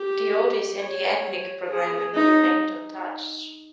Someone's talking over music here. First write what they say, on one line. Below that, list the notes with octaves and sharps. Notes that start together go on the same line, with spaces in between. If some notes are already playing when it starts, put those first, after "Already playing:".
The oldies and ethnic programming remained untouched.
Already playing: G4
C#5
G#4
D#4